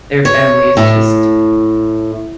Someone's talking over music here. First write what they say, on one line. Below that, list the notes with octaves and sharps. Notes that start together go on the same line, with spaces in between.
their family is just it
C#5
A2